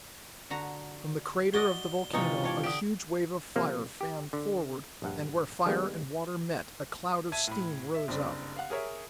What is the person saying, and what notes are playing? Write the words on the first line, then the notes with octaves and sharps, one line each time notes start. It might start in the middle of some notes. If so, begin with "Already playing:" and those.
From the crater of the volcano a huge wave of fire fanned forward, and where fire and water met a cloud of steam rose up.
D3 F#4 A#5
F#4 D5 D#5 G7
G#2 C3 E3 D#4 F4 C#6
D4 C#5 D5
D3 G4 D#6 D7
C3 F3 A#3
G4
D3
A#1 G2 F#5
D#3 G3 G#3 A#3 B3
E5 A5 G#6 D#7
A2 B5
E5
F#1 G2 C4 D5
F5 F#5
G#4 A#4 C#5 E5